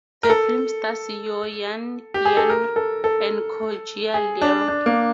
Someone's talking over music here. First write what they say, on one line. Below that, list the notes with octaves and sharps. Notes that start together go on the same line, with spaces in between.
The film stars Yeo Yann Yann and Koh Jia Ler.
A#4
A4
G4
G#4
A4
A#4
A4
A4
G#4
D4
D4
A#3